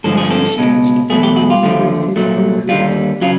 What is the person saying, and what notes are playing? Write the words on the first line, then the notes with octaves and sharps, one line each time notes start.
Wagons stretched overall versus for coupes.
G2 D3 F3 A4
G#4
A4
C#2 B2 G#3
E2 B2 F#3 A3 G#4
G4
F#4
F4
D#2 D3 F3 A3
C2 A#2 F#3 A3
D#2 D3 G3 F4
C#3 F#3 F4